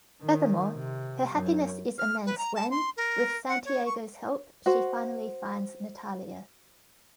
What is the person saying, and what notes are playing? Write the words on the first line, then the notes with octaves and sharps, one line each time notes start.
Furthermore, her happiness is immense when, with Santiago's help, she finally finds Natalia.
D#3
C3
F#2
F6
B4
A#5
A5
C6
A#4
F#5
C#5
C#6
F#4 C5